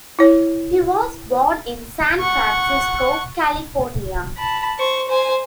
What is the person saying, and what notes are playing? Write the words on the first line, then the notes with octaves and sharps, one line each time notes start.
He was born in San Francisco, California.
E4 C#5
F#5 C#6
A5 B5
C5 C#6
C5 G#5